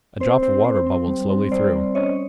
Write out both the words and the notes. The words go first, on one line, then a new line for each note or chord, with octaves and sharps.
A drop of water bubbled slowly through.
C4 C5
C4 C5
C4 C5
C4
G3
C4
G3 C5 D5
C4
C#4 C#5 D#5